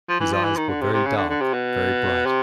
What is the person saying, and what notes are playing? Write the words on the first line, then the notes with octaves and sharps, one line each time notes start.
His eyes were very dark, very bright.
F3
E3
F3
E3
D#3
D3
C3
C3
C#3
D3
D3
C3
B2
C3